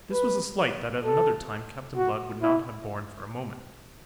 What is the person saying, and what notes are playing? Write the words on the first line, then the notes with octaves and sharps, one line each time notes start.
This was a slight that at another time Captain Blood would not have borne for a moment.
B4
A4
F#4
E4